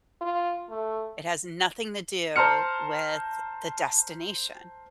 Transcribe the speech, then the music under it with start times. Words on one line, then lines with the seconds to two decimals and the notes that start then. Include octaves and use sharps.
it has nothing to do with the destination.
0.21 F4
0.70 A3
2.36 C5 A5 A#5 C6 F6 C#7